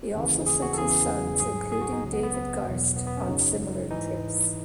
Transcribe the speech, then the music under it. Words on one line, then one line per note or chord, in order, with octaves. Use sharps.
He also sent his sons, including David Garst, on similar trips.
D#2 C#3 E3
G#4
F#4
A4
E2 C#3 E3 G#4
G#2 F#3 G#4
G#4
F#4
D#4
C#2 C#3 F#3
B3
B3
B3
E2 B2 F#3
B3
B3
C#4
F#2 C#3 F#3 D#4
G#2 E3 D#4